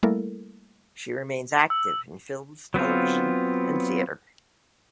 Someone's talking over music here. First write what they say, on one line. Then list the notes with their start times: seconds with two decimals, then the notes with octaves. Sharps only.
She remains active in films, television and theatre.
0.03 G3 A3 A#3 E4 A4 A#4
1.70 E6
2.74 F#3 B3 C4 F4